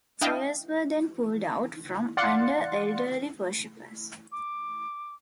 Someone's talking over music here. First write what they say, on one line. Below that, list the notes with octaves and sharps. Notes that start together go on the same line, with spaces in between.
Chairs were then pulled out from under elderly worshipers.
D4 E4 D#5 F5 G5 A5
D5 F5 F#5 C6 A6 C#7
D6